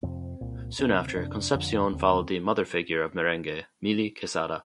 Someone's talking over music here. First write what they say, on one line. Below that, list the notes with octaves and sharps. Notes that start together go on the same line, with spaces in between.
Soon after Concepcion followed the "mother figure" of merengue-Milly Quesada.
F2 C3 C4
C2 A#2
D2 C3 C4
A#3
C4
C4
F2 C3 D4
F2 D3
D#2 D3 C4
C4